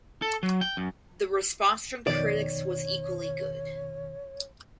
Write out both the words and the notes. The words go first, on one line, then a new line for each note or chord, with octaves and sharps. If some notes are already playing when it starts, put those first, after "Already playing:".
The response from critics was equally good.
A4
F#3
G5
F#2
F2 B2 D#3 C#5 D5